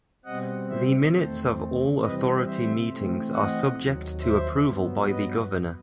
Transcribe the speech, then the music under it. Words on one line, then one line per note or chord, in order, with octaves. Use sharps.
The minutes of all Authority meetings are subject to approval by the Governor.
B2 G3 C4 D#5 F#5
C5 E5
E2 D#3 A3 C4 A4 C5
C3 E3 G3 C4 B4 D#5
C5 E5
C3 E3 A3 C4
D#5 F#5
D#2 D#3 F#3
C5 E5
G2 F#3 B3
B4 D#5